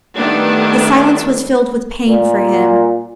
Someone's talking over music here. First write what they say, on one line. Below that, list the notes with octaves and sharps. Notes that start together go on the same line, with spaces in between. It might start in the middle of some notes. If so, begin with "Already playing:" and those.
The silence was filled with pain for him.
D#3 G3 A3 B3 D4 E4
A#2